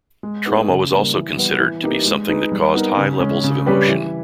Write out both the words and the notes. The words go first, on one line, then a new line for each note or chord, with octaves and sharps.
Trauma was also considered to be something that caused high levels of emotion.
G#3
B3 D#4 G#4
C#3
G3 A#3
E3
G3 B3
E3
A#3 D#4 G4 B4
G#3
D#4 G#4 B4
G3
B3 D#4 A#4
C#3
G#3 C#4
C#3
G3 C#4 G4 B4
E3